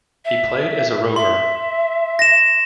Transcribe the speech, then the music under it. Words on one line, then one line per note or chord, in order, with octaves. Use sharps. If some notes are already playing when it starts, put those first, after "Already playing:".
He played as a rover.
E5
E5 C6
A#6 E7